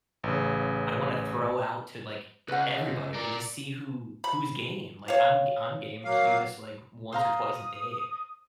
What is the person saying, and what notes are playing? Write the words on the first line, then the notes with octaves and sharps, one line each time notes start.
I wanna throw out to, like, everybody and just see who who's game. Like, I'm g I'm game to do this, like, once or twice a day,
A1 C#3
C#2 B4 F#5
A#4 D5
B5
C#5 F5
F#3 A#3 F5
C5 F5 A#5 D#6